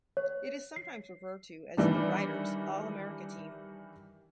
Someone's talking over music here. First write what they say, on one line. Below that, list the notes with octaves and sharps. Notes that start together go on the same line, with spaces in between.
It is sometimes referred to as the "Writers' All-America Team".
C#5
C7
D#3 E3 G3 D4